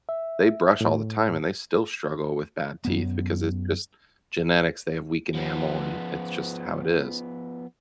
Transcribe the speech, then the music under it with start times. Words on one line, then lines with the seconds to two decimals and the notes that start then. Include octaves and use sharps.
they brush all the time and they still struggle with bad teeth because it's just genetics. They have weak enamel and it's just how it is,
0.09 E5
0.81 A2
2.85 F#2 B3
5.34 F3 B3